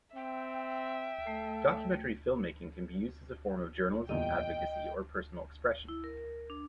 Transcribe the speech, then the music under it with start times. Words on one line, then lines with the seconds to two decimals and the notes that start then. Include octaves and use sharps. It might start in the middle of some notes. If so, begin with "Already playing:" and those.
Documentary filmmaking can be used as a form of journalism, advocacy, or personal expression.
0.15 C4 E5 G5
1.27 A3 A4
4.09 E2 A#2 G3 D#5 G5
5.88 E4
6.04 A#4
6.50 D4